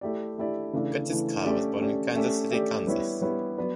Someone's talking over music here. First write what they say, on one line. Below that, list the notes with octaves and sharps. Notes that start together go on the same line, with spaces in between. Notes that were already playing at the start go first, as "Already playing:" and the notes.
Curtis Carr was born in Kansas City, Kansas.
A3 E4 G4 D5
A3 E4 G4 D5
C#3 E3 A3 D4
C#3 E3 A3 D4
A3 C#4 G4 D5
A3 C#4 G4 D5
A3 C#4 G4 D5
A3 C#4 G4 D5
G3 B3 E4 G4 C#5
G3 B3 E4 G4 C#5
F#3 B3 F#4 B4 D5